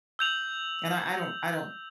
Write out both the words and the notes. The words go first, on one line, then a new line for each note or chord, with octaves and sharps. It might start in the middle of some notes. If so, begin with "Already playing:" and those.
and I I don't I don't
E6 G6 F7 F#7